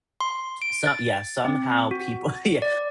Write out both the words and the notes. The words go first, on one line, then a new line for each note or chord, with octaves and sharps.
So Yeah, somehow people yeah
C6
D7
A6
C4
F#4
D5